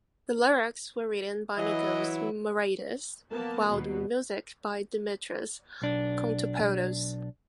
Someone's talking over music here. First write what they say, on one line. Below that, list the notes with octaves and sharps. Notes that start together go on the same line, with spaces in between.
The lyrics were written by Nikos Moraitis while the music by Dimitris Kontopoulos.
E3 F#3 E4 D#5
A#3 B3 A5
D#2 B2 F#3 B3
B1 D4